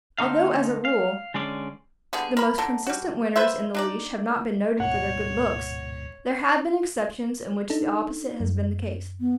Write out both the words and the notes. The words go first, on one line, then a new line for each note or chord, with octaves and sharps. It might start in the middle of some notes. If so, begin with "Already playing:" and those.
Although, as a rule, the most consistent winners in the leash have not been noted for their good looks, there have been exceptions in which the opposite has been the case.
D3 A#3 C4 D#4 F5
F5
D3 G#3 C#4 D5
D3 G3 B3 G#4
A#4 B5
D3 A4 A#4
G3 F#4
A#3 B4 C5 E5
D4 D#4 D5
D1 G#2 B2 C#5 F#5
D4 D#4 A4
F#2
B3